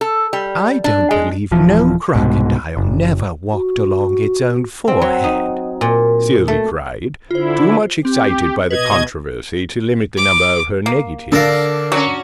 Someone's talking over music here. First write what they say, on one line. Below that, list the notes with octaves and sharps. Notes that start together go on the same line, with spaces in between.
"I don't believe no Crocodile never walked along its own forehead!" Sylvie cried, too much excited by the controversy to limit the number of her negatives.
A4
G3
D4
G#3
D#1 E3 F3
C2 G#2 B2
F#1
F#4
C4
F#3
D#4
A#2
A3
D3 E4 F4 C5
C4 G4
B2 B4 D#5 G#6
D6
A#3
D3 D4 A4 A#4 F5
F#3 C#4 F#4